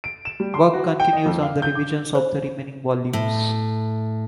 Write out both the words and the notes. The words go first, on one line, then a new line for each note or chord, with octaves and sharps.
Work continues on revisions of the remaining volumes.
D7
E7
G3
C6
F#4
G5
D#5
F2
F5
G6
D6
C5
A2